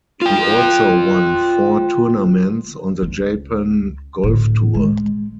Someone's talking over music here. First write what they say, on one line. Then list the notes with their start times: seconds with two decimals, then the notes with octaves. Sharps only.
He also won four tournaments on the Japan Golf Tour.
0.22 F4 G5
3.02 C#2
4.23 A2 D3
4.74 G#3